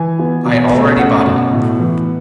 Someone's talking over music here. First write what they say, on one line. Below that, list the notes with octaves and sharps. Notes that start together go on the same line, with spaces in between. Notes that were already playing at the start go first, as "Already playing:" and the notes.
I already bought it.
Already playing: E3 G#5
B3
B2
A3
C#4 F#5
B2
A2
E3